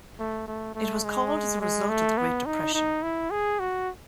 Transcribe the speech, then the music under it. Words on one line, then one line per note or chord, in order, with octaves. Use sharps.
It was called as a result of the Great Depression.
A3
A3
A3
G#3
G#3
A3
B3
D#4
D#4
E4
G#4
F#4